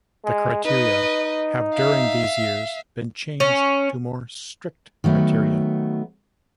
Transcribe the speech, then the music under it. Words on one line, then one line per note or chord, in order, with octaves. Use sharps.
The criteria have during these years been changed to more strict criteria.
G#3
D#4 B4 D#5
E5 F5
C#4
D#3 F#3 A3 B3